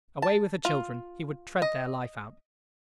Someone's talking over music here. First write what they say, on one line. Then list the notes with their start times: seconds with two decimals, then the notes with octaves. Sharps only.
Away with the children: he would tread their life out!
0.22 A5
0.65 F4
1.62 D#5